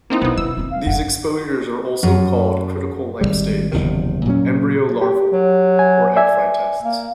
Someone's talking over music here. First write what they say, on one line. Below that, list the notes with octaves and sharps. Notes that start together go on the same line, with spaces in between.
These exposures are also called critical life stage, embryo-larval, or egg-fry tests.
A#3 C4 D#4 E4
B1 B3 D#4
D4 E6
A#3 C4
F5
G1 F#2 F#5
F#2
G#1 D#2 G3
F#1 E2 C3 D#3
A#2 F#3 C#4
G4
F#3
G#5
D5 E5 G#5
A#3